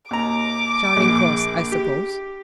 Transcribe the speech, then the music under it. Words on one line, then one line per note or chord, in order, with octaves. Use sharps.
"Charing Cross, I suppose!"
D#2 A#5 D6
A#1
G4